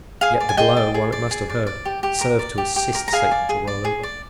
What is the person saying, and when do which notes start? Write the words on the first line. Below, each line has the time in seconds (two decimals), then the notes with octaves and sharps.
Yet, the blow while it must have hurt, served to assist Satan to roll over.
0.21 G#4 F5 G#5
0.40 D5
0.49 G#5
0.57 G#4 D#5 G5
0.77 D5
0.94 G#4
1.12 D5
1.31 G#4
1.49 D5
1.67 D5
1.85 G4
2.03 G4
2.21 A#4
2.39 D5
2.58 G4
2.76 G4
2.95 A#4
3.08 A#5
3.13 G#4 F5 G#5
3.31 D5
3.49 G#4
3.67 D5
3.85 G#4
4.03 D5